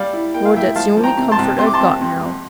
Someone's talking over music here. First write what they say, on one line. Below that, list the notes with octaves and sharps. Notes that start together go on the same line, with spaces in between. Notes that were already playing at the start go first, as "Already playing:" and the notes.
Lord, that's the only comfort I've got now!
Already playing: G3 D5 F5
E4
A#3 G5
F5
A2 E5 G5
F3 F5 A5
F3
G5 A#5
C3
A5 C6
C2
C3 C6
D6
A5 C6
F2
F2
F2